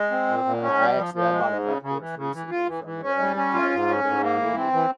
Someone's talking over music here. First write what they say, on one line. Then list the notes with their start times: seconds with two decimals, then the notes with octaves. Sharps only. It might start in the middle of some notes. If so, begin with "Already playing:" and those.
I actually I bought, um, a course recently from a a guitarist named Derryl Gabel,
Already playing: G#3
0.11 C4
0.28 A#2
0.45 A#2
0.62 C#4
0.79 G3
0.96 F3
1.14 F3
1.31 G#3
1.47 G#2
1.64 C#3
1.82 C#3
1.99 E3
2.16 C#3
2.33 E3
2.50 F4
2.68 E3
2.84 E3
3.02 C#4
3.19 G3
3.36 C#4
3.53 F4
3.71 G#2
3.88 C#4
4.04 G#2
4.22 A#3
4.39 E3
4.56 C4
4.73 E3